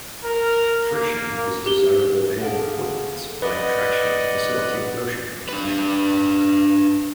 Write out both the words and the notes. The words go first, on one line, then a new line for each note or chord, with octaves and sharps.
Friction is desirable and important in supplying traction to facilitate motion on land.
A#4
A#3
G4 G7
G#4 A4 F5 F#5
B4 D5 D#5 F#5
D4 B4